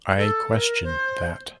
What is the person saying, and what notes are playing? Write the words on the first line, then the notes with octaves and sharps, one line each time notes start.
I question that.
A4
A#4
C5